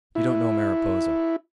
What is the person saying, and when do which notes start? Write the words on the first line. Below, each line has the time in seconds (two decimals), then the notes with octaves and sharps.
You don't know Mariposa.
0.15 E4